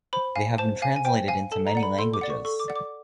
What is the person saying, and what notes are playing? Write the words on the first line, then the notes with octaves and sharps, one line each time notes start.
They have been translated into many languages.
C5 B5
F5 G#5
C5 A5
F5 G#5
G#5
C5 G5
F5 G#5
A4 A5
A#5
D5 F#5
B5
A4 C6
D6
D5 F#5
C#6
A4 C#6
D6
D5 F#5
D6